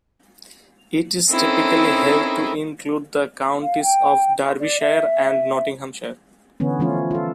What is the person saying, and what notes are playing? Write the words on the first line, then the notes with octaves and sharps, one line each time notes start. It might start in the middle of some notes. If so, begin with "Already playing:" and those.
It is typically held to include the counties of Derbyshire and Nottinghamshire.
C4 C#4 D#4 E4 A4 A#4
F5
G5
F4
D5
E5
D3 E3 B3 C#4
E3 F3 A3 C#4 F4
F4 A4